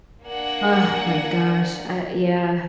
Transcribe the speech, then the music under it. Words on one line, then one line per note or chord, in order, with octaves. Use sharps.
Ugh, my gosh, uh, yeah.
A#3 D4 F#5 G#5 A#6